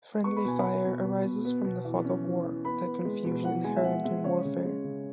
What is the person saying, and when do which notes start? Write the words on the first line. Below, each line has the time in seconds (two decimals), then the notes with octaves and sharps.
Friendly fire arises from the "fog of war" - the confusion inherent in warfare.
0.24 B3 C#6
0.36 B5
0.45 B2 G#5
0.60 B3 B5
0.85 B2
1.05 B2
1.24 B2
1.45 B3
1.65 B2
1.85 E3
2.04 C#4
2.24 E3
2.44 E3
2.65 B3 B5
2.85 B3
3.05 G#3
3.25 B2
3.44 E3 F#5
3.64 G#3 G#5
3.76 E5
3.84 G#3 F#5
4.04 G#3 E5
4.24 C#3 C#5
4.45 C#3
4.65 G#3
4.84 C#3